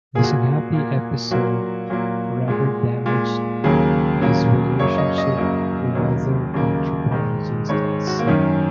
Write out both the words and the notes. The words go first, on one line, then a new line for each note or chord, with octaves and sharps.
This unhappy episode forever damaged his relationship with other anthropologists at Sydney.
A#2 A#3 F#4 G#4
G#4
A#2 A#3
A#2 F#3 A#3 F#4
A#2 F#3 A#3
A#2 G#3
A#2 G#3
D#2 C#3 F#3 A#3 G#4
D#2 C#3 F#3 A#3
F#2 C#3 F#3 A#3 C#5
D#5
D#5
F#2 C#3 F#3 A#3 D#5
D#2 C#3 F#3 A#3
D#2 C#3 F#3 A#3
G#2 D#3 G#3
G#2 D#3 G#3 C#5
F#4
A#3
F#2 D#3 F#3 C#4